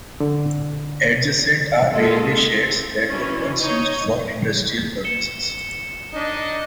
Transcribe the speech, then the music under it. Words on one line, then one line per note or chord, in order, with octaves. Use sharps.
Adjacent are railway sheds that were once used for industrial purposes.
D3
D#3 G#3 F4 A4 D#5
C4
E3 F#3 C#4 D4
D#4 C#5 D#5
C#7 E7 G7
D4 D#4 D#5